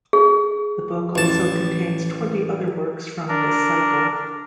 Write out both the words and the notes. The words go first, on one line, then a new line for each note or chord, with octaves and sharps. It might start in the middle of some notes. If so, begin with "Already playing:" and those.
The book also contains twenty other works from this cycle.
G#4
A1 A5
D4 A#4